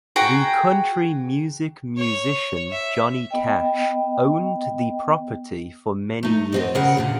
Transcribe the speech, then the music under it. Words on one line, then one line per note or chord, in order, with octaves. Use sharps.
The country music musician Johnny Cash owned the property for many years.
F#4 G#4 G5 A#5
C#5
E5
B3 D#5 G5
A3 D#4
B3 C4 D#5
C#3 B3 G#4 A#4 F#5
E2 A#2 D3